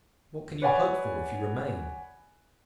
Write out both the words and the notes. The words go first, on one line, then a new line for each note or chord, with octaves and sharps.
What can you hope for if you remain?
B4 C#5 D5 F#5 G#5 B5